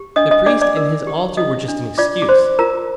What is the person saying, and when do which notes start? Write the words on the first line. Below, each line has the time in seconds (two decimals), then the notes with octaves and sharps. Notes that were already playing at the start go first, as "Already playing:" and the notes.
The priest and his altar were just an excuse.
Already playing: G4
0.16 D4 D#5 D#6
0.31 D#5 D#6
0.46 D4 D5 D6
0.62 D5 D6
0.77 A#4
1.07 G4
1.37 D4 D#5 D#6
1.68 D4
1.98 F4 D5 D6
2.22 D6
2.29 C5 C6
2.59 F4 A#4 A#5